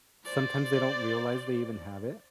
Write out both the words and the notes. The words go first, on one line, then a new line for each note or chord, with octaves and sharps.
sometimes they don't realize they even have it,
C5 D5